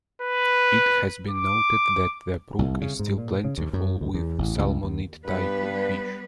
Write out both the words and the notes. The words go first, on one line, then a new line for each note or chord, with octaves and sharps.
It has been noted that the brook is still plentiful with salmonid type fish.
B4
D6
C2
C#3
G#2
A#2
C#3
D#2
F#2
D2
E2
A1
C#2
D#2
G2 G3 B3 B4